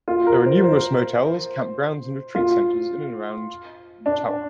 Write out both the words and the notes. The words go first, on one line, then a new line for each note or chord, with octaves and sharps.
There are numerous motels, campgrounds, and retreat centres in and around Mattawa.
F4
A#4
C5
C5
F4
D4